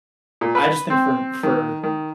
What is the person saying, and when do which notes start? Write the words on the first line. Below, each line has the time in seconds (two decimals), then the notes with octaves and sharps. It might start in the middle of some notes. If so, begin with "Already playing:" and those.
I just think for for
0.41 A#2
0.55 B4
0.90 C4
1.43 D#3
1.83 D#3